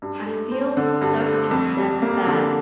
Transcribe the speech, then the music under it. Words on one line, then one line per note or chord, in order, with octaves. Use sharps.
I feel stuck in the sense that
G2
A3
C4
D3
G2
A3
F2
G3
A#3
D3